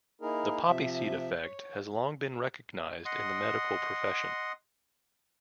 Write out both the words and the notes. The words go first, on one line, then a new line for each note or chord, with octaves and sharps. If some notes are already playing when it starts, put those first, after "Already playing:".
The poppy seed effect has long been recognised in the medical profession.
A#3 D#4 E4 G#4 A#4
C3 F3 E5
C#5
D#5 F#5 C6 D#6